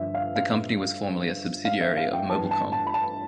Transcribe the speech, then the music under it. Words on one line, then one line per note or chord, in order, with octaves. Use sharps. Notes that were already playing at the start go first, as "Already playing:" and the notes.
The company was formerly a subsidiary of Mobilcom.
Already playing: G2 D3 F3 E5
F5
F5
F5
E5
F5
G5
G2 E3 A5
A5
A5
B5
A5